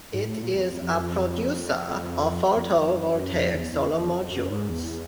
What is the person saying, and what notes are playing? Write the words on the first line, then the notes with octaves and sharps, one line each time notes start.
It is a producer of photovoltaic solar modules.
G#2
A2
A#2
E2
F2
F2
F#2
F2
F2
F2
F#2
F#2
F2
E2
E2
E2
F2
F#2
G#2
E2